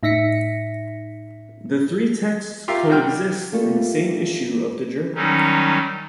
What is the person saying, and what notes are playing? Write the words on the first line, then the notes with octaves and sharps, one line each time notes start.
The three texts coexist in the same issue of the journal.
A2 D#4 E5 A#6 B6 C#7
F4 G4 A#4 E5 F5
C3 F#3 G3 G5 F6
G3 A3 A#3 F4 A4
D#3 F#3 G3 C#4 D#4